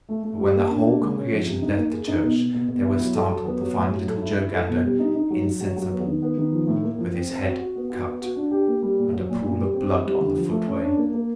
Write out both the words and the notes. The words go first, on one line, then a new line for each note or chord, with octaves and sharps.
But when the whole congregation left the church they were startled to find little Joe Gander insensible, with his head cut, and a pool of blood on the footway.
A3
A3
G3
A#3
D4
A#3
G#3
C#4
F3
C3
D#4
A#3
G#4
D#4
B2
B2
B2
B2
E4
F#3
A4
F#3
B3
F#3
A2
F#3
A4
E4
E4
A4
B2
G3
D#4
D#4
F#3
F#3
F#3
F#3
B3
D#3
B3
D#3
F3
A2
A#3
F3
C4
C4
F#4
F#4
B3
F#4
B3
F#4
D4
G4
A#3
G3
A#2
F#3
A#2
A#2
G3
C4
E4
G3
D3
F3
A3
C#4
D4
A#3
A#3